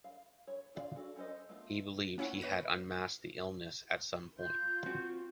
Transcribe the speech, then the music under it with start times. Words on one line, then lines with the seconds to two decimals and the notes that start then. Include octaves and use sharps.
He believed he had unmasked the illness at some point.
0.04 F5
0.47 C#5
0.75 F4 D5 E5 F5
0.96 D4 F#4 A4
1.16 C#4 G4 A4 C5 D#5
1.49 A3 B3 F4
2.18 A#3 C#4 E4 F#5 C#7
2.41 B4 C#5 F#6 A#6 D#7
4.39 F4 G6
4.86 C4 F#4